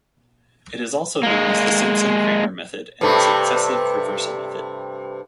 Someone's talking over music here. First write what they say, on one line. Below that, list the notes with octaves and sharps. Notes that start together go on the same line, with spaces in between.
It is also known as the Simpson-Kramer method, and the successive reversal method.
G#3 A#3
G2 C3 A3